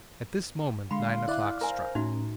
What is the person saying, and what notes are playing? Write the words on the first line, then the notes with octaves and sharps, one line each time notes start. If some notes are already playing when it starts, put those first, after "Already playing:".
At this moment nine o'clock struck.
D3 G#3 F5 B5 C6
E4 D5 E5 F#6
A#4 C5 G#5 A#5
A2 C#4 D#4 F#4 E5